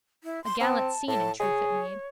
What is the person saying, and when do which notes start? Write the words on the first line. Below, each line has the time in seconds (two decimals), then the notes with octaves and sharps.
A gallant scene in truth it made.
0.24 E4
0.44 C6
0.61 C4 A5
1.08 A2 A5
1.40 G#4 C#5